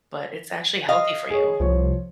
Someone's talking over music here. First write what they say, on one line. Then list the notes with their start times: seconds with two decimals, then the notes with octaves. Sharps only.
but it's actually healthy for you.
0.89 D#5 F5
1.30 G#4 C#5
1.60 C2 F3 C#5